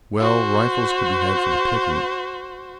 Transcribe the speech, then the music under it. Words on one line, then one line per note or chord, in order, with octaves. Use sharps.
Well, rifles could be had for the picking.
F#4 C5